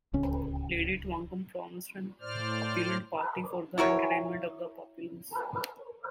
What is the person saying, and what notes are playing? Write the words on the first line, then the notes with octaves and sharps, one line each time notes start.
Lady Twankum promised an opulent party for the entertainment of the populace.
D1 C#2 C#4
A2 C5 D5 F6
E4 F#4 A#4 C#5